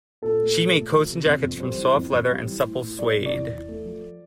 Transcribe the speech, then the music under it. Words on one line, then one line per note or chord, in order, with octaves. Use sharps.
She made coats and jackets from soft leather and supple suede.
A#2 A4
A3
A#2
A3
F3
C3
F2
F2
G3 C5
E3
F2
F2
G3
E3
A2
A2
G3 D5
C3
D5
E2
E2
A3
F3